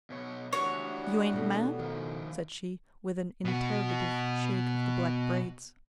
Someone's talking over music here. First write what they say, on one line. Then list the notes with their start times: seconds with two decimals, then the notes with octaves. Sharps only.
"You ain't mad?" said she, with an interrogative shake of the black braids.
0.10 B2 C#5
0.53 E3 G3 B3 D4 F#4 C#5
1.33 B2 A3
1.79 D#3 F3
3.45 B2 F#4